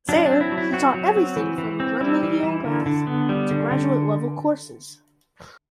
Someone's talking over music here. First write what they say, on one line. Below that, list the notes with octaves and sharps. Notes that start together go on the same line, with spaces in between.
There he taught everything from remedial math to graduate-level courses.
F#3 D4
D4
C4
E4
F#3
E4
C4 F#4
F#3
C4
E3
E3
C4
G3 E4
E3
E3
D3
D3
B3
G3
D3
D3